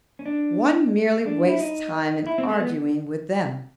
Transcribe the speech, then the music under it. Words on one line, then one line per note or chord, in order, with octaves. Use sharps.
One merely wastes time in arguing with them.
C#4
D4
D4
E4
D#4
E4
C4
A3
B3